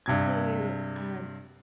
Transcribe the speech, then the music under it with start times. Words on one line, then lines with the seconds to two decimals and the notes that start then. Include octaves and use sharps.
to, um,
0.06 G2 C3 G#6